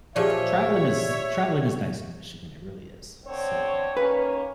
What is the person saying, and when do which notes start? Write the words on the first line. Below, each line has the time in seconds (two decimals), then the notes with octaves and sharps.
traveling is traveling is nice in Michigan it really is, so.
0.16 A#2 F3 G4 G#4 C#5 D5 E5
3.26 D3 C4 C#5
3.97 D#3 A#3 C#4 B4